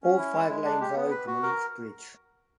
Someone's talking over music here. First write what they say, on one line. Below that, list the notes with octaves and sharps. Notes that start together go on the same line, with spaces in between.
All five lanes are open on each bridge.
C#4
E4
G#3
G#3
D4
G4
B3
B4
F#4
A#4